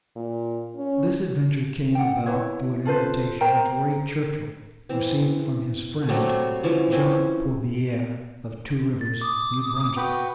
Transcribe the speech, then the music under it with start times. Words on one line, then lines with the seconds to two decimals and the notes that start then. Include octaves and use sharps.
This adventure came about through an invitation which Ray Churchill received from his friend, Jacques Pourbiere of Two Rivers, New Brunswick.
0.16 A#2
0.77 C#4
1.95 F#5 G5
2.26 E4 B4 C#5
2.85 F4 A4 B4 C5
3.40 A#4 C5 G5 A#5
4.89 E3 C4
6.09 C3 F#3 G3 A3
6.63 D3 E3 F3 C#4
6.92 C4 C#4
9.01 A6
9.22 D6 D#6
9.97 F#4 B4 G5